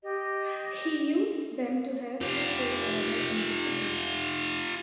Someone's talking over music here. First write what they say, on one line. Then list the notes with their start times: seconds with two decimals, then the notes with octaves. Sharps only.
He used them to help restore order in the city.
0.03 G4 D#5
2.21 F4 G4